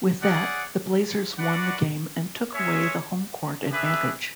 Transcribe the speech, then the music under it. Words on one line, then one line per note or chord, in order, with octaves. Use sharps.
With that, the Blazers won the game and took away the home-court advantage.
C#4 G#4 D5 F#5
D4 F#4 B4 D5 F#5
G#3 C#4 G#4 C#5 E5
D4 G#4 B4 E5